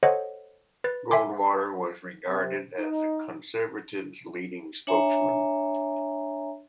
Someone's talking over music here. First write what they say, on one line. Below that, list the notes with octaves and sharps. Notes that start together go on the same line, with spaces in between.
Goldwater was regarded as the conservatives' leading spokesman.
A4 C5 C#5 D#5 F#5
B4 A6
E5 G#5 C6 D6
C3
D#4
D4 C#5 E5 G#5 A#5